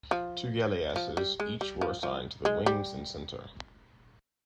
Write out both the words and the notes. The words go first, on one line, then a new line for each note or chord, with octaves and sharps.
Two galleasses each were assigned to the wings and center.
F3
F3
G3
G#3
G3
F3
F3
G#3
G3